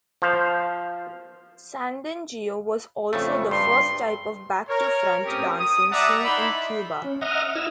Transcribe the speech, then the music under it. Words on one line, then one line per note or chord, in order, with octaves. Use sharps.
Sandungueo was also the first type of back-to-front dancing seen in Cuba.
F3 C5 F5
F2 C#3 A3
G2 C6
A#4 C#5
A3 C4 C#4 G4 A#4 D#6
D#6
G3 D5 E5 F#5 A5 A#5
D#4 E4 D5 E5 B5 C6
C#4
D#5 E5 F#5 A#5 D#6 F6
E4 E6 F6